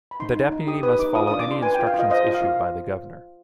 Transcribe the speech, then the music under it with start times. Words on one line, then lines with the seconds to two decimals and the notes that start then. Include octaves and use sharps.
The Deputy must follow any instructions issued by the Governor.
0.11 B5
0.20 D#4 C6
0.36 D#4
0.52 D#4
0.67 G4 D#6
0.83 B4 D#6
0.99 D#4 D6
1.15 F4 D#6
1.27 D4 D#6
1.40 D6
1.47 D4 C6
1.63 B4 G#5
1.75 F4 G5
1.87 F5
1.94 F4 D#5
2.10 C5 D#5
2.26 F4
2.34 F5
2.42 F4